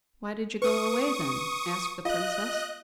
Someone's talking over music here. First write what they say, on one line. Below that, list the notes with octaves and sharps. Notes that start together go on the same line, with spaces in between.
'Why did you go away then?' asked the princess.
B4 C#6 D#6
F4 D#5 F5 F#6